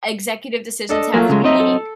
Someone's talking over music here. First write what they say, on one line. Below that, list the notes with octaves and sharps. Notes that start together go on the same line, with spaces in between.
executive decisions have to be made,
D4 A4 D#5
F#3 A3 A#3 F4
C#3 G#3
F#3 C4 D#4 D#5 E5 A#5
A4